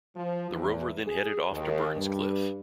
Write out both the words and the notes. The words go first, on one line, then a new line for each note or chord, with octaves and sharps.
The rover then headed off to Burns Cliff.
F3
E2
G#4
D#2
G2